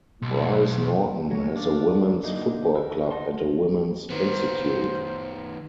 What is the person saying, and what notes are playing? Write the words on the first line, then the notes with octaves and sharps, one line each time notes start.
Brize Norton has a women's Football Club and a Women's Institute.
B1
F#3 C#5
D3 D4 D5 F5
D3 E3 A#3 D#4
A#4 B4 E6
D#4 F#5 A5 C6
D#3 B3 C5